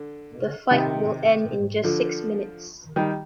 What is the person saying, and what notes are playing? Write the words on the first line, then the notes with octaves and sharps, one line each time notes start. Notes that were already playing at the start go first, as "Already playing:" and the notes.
The fight will end in just six minutes.
Already playing: D3
C3 D#3
D3 F3
D#3 G3